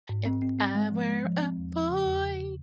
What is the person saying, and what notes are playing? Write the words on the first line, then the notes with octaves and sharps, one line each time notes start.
If I were a boy,
G#2
C4
C4
C4
G#3
F3
G#3
F3
C4
E2
F3
C#3
E2
C#3
C#3